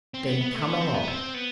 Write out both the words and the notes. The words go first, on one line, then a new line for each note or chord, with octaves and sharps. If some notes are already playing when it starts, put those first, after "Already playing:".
"Then come along."
C4
B3
B3
A3
B3
C4
B3
C4
B3